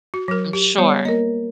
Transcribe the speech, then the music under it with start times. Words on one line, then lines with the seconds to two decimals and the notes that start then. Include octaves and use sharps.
I'm sure.
0.14 F#4
0.28 F#3 A#4
0.53 G4
0.78 G3 B3 C#5
1.05 A#3 A#4 D#5